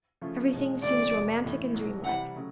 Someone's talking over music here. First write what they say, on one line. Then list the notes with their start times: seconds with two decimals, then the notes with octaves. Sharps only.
Everything seems romantic and dreamlike.
0.21 C#3 F3 A3 C#4 F4
0.52 E2 B2 G#3
0.83 D2 C3 E3 A3 C4 D5
1.13 F1 F2 C3
1.44 A1 A2 E3
1.74 C2 B2 F#3
2.04 C3 E3 G3 C4 E4 F#5
2.36 C#3 F#3 A3